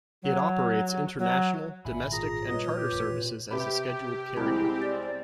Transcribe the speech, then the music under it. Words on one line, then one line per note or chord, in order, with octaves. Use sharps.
It operates international, domestic and charter services as a scheduled carrier.
F#3
F#3
G#1 A#2 E5 G#5 B5
F4 G#4 A#5 D#6
A#2 G3 F4 B4 C#5 D#5
G4
E1 A#2
C3 G4 B4 B5
C2 G3 G#3 C4 E4
D5